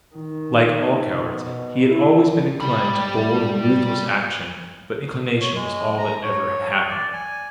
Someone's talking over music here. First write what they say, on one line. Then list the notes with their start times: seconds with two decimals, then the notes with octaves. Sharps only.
Like all cowards, he had always been inclined to bold and ruthless action; but inclination was all that ever had happened.
0.15 D#3
1.22 B2
1.88 E4
2.60 G3 B5
5.41 C#5
5.55 G#3
5.98 A#5
6.23 C#5
6.89 D5
7.13 G#5